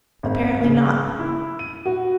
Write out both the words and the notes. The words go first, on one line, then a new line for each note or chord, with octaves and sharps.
Apparently not.
G#1
C#3
E4
D#7
F#4